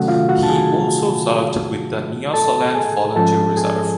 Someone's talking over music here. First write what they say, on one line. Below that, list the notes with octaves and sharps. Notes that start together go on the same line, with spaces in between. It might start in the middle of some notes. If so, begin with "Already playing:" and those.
He also served with the Nyasaland Volunteer Reserve.
Already playing: C3 D#3 F#3 A3 C#4 F#4 F#5
F4 F5
F#4 F#5
A5
G#4 G#5
A4 A5
G#4 G#5
G#2 F3 G#3 C#4 A4 A5
G#4 G#5